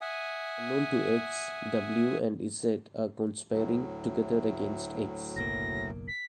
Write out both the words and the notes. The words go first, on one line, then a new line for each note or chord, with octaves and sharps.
Unknown to X, W and Z are conspiring together against X.
E5 F#5 G#5 D#6
D2 A2 F#3
F#1 B1 A#3 A#6
B6